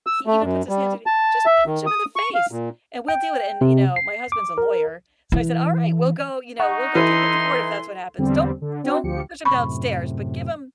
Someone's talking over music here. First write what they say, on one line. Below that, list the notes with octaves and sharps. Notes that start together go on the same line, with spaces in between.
he even puts his hands on you, just punch him in the face, and we'll deal with it," and, you know, my husband's a lawyer, so I said, "Alright, we'll go you know, we'll go take him to court, if that's what happens. Don't don't push him downstairs but give him
E6
A3
F#2
G3
A5
E5
D#3
D#6
C#6
F5
A#2
G5
C3
C7
D6
A#4
E3
D#4 F#5 C#6
E3 E4 A4 B4 C6
E2 D3 G3 C4
D3
C4 D4 F#4
D2 F3 G4 C#7
F#2 A2 C3 B5 C#6